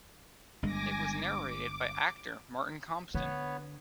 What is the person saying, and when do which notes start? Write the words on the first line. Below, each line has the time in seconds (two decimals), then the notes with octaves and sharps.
It was narrated by actor Martin Compston.
0.63 G1 G2 G#3 G#5 D6 A#6
1.16 D6
3.14 D3 B3 B4 C#5